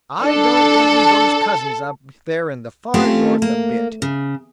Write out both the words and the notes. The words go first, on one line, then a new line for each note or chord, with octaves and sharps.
I don't envy those cousins up there in the Far North a bit.
D4 A4
A3 C4 C#4 F4 G4 A4
A#3
C#3